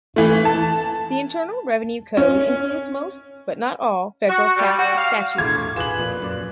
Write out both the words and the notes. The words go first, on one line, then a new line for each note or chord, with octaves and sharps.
The Internal Revenue Code includes most but not all federal tax statutes.
E3 A3
A5
C#4
F#4
G3
F#4
F5
E1 A2 F4 D6 G#6
F4 G#4 B4 E7 F#7
F2 A#2
F#2 D5